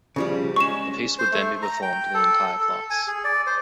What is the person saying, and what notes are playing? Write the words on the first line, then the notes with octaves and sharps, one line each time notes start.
The piece would then be performed to the entire class.
C#3 F3 G3
G#3 C#4 C#6 E7
C5
A3
A#5
G5
A4
A4
G#5
G#4
D5
C5